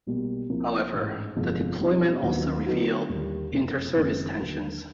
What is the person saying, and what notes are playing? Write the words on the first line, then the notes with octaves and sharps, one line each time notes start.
However, the deployment also revealed interservice tensions.
B1 B2 G3 A#3
C2 C3 F3 A#3
A1 G#2 E3
G1 F2 C3 F3 G#3
E2 B2 G3 C4 D#4
D#2 D#3 F#3 B3 D4
D3 F#3 B3 D#4 F#4
D#2 D3 G3 A#3 D4
F#1 F2 C3
F#1 F#2 D#3 G#3 C4
D#2 D3 F#3